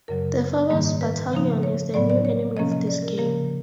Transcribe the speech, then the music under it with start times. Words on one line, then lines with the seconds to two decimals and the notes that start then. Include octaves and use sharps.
The Phobos Battalion is the new enemy of this game.
0.08 F#2 C#3 F#3 A#4
0.70 G#2 D#3 G3 A#3
1.01 B4
1.32 C#3 F3 A#3 D#4
1.63 C#5
1.94 A2 F#3 B3 D5
2.10 D5
2.25 C#5
2.57 C3 F3 A#3 C#4 D#5
2.72 D#5
2.87 D5
3.02 A#4
3.18 C#3 F3 A#3 A#4